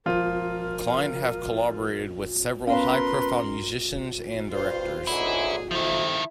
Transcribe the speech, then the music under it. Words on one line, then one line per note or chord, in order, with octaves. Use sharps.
Client have collaborated with several high-profile musicians and directors.
F3 F4 A#4
B3 C#4 A#4 B4 F5 C6
G2 F4 C5
C#2 G#2 D3 E4 G#4
F2 C3 D#3 F3 E4